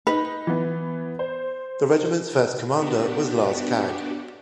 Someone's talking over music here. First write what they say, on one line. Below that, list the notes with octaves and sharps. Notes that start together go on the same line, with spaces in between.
The regiment's first commander was Lars Kagg.
D#4 B4
E3 B3
C5
B3 D4 F#4 G4